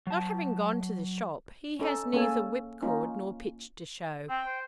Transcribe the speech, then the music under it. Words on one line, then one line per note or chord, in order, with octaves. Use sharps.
Not having gone to the shop, he has neither whipcord nor pitch to show.
F#3 A5
C#4 D#4 A4
A#3 C#4 G#4 A4 G#5
A#3 C#4 D#4 F4
C4 G5
C5